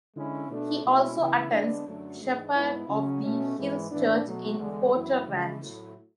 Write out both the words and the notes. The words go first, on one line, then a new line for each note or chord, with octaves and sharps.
He also attends Shepard of the Hills Church in Porter Ranch.
D3 G#3 C#4 E4
B2 A3 D4
B2 G#3 C#4 E4
C#3 E3 B3 E4
D3 G#3 B3 D4
F#2 D3 F#3 A3 D4
G#2 E3 G#3 D4
G#2 G#3 B3 E4
C#3 F#3 C#4
B2 A3 C#4
G#2 E3 G#3
A2 E3 B3 D4
B2 F#3 A3
E2 D3 G#3
F#2 E3 B3 E4
C#3 E3 G#3
A2 F#3 A3 E4